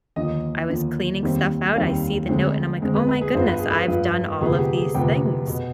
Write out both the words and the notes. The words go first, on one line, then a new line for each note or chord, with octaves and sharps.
I was cleaning stuff out. I see the note, and I'm, like, "Oh my goodness. I've done all of these things."
D#2 D3 F3 D#5
D#2 D3 F3
D#2 D#3 G3 C4
D#2 D#3 G3 C4 F5
D2 D3 G#3 C4
D2 D3 G#3 C4
B4
B4
G#4
G2 F3 B3 C5
B4
G#4
B4
G2 F3 B3
D2 C3 F3 B3 G#4
G4
G#4
D2 C3 F3 B3 G5
B2 B3